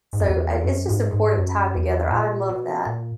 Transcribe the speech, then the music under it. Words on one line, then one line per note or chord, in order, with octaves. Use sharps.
So, it it's just important time together, I love that.
G#2
F#2
E2
F#2
G#2
G#2
F#2
E2
A#2
B2
A#2